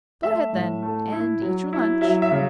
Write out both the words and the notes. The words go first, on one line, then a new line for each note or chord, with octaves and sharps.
"Go ahead, then, and eat your lunch."
A3 E5
A2
A3
E4
F#3
E4
F#3 E5
E5
C#3